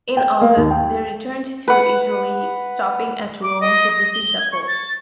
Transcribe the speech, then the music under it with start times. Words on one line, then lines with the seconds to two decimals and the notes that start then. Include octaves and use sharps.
In August, they returned to Italy, stopping at Rome to visit the Pope.
0.17 G5
0.41 A#3
0.57 D#2
0.71 G5
1.68 B4 F#5
3.43 D6
3.61 D#5
3.91 A#6
4.14 G7
4.38 G#6
4.52 C#6
4.68 A6